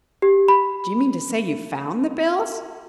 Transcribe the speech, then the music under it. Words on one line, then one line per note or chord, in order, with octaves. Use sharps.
"Do you mean to say you found the bills?"
G4
B5